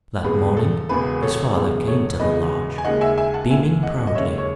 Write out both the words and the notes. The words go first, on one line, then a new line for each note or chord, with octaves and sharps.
That morning his father came to the lodge, beaming proudly.
E1 E2 C#3 G#4 B4
A4
E1 E2 C#3 G#4 B4
A4 C#5
E1 E2 C#3 G#4 B4
A4 C#5
E1 E2 C#3 B4 D#5
G#5
D#2 C#3 G#3 D#5 F#5
E5 G#5
E5 G#5
F#5 A5
D#2 C#3 G#3 E5 G#5
D#5 F#5
D#5
D#2 C#3 G#3 C#5 E5
C#5